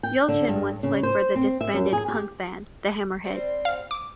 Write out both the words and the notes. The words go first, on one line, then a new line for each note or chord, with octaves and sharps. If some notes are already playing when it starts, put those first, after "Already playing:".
Yelchin once played for the disbanded punk band, the Hammerheads.
G5
D3
G2
C#3
C5
C4
E5
F#2
G#4
G4
G3 C4
F5
D6